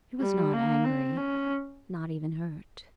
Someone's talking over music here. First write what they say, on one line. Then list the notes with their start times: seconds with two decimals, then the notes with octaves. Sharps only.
She was not angry, not even hurt.
0.21 G3
0.54 A#3
0.85 C4
1.17 C#4